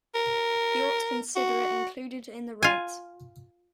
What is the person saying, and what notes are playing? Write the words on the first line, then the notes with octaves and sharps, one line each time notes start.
He ought to consider it included in the rent.
A#4
F#4
F4 G#5